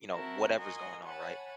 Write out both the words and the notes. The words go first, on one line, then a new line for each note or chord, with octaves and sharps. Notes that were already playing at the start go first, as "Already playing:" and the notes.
you know, whatever's going on, right?
C4 E4 F#4 A#4 A5
F#4 A#4 D#5 G#5 C6
C#5 F#5 G#5 A5 B5